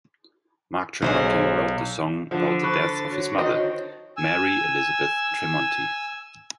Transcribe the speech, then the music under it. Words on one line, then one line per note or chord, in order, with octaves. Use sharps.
Mark Tremonti wrote the song about the death of his mother, Mary Elizabeth Tremonti.
B1 G#3 C5 C#5
D3 F3
A4 C5 B5 C#6 F#6 A6
F#4 C#5
D#3 C5 D#5
G#5 E6